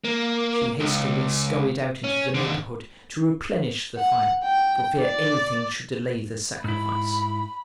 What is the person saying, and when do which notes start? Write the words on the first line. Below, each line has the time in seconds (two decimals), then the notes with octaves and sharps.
She hastily scurried out into the neighborhood to replenish the fire, for fear anything should delay the sacrifice.
0.04 A#3
0.80 C#2
2.04 C#4
2.34 D#2 D3
3.97 F#5
4.44 G5
5.01 D5
6.64 G#2 E4 B5